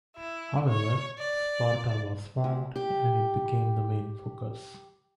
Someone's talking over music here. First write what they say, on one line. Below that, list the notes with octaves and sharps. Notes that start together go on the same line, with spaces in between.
However, Sparta was formed and it became the main focus.
E4
C#5
D5
D2
G4